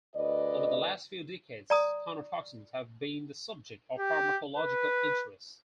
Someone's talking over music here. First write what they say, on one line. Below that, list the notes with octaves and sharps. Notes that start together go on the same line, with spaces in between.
Over the last few decades conotoxins have been the subject of pharmacological interest.
D2 B4 D5 D#5
D5 A#5 D#6
G4
B4